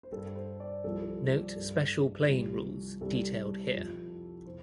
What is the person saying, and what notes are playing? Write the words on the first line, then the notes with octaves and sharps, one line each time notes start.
Note special playing rules detailed here.
C5
G2 G3 A4
C5
D5
C2 C3 F3 A4
A4
C5
D5
G2 G3 A4
C2 C3 F3
C2 C3 G3 A4
F2 F3
C3 F3 C5